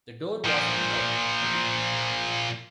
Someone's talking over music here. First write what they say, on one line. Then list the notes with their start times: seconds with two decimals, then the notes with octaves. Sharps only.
The door was unlocked.
0.46 A#2 F3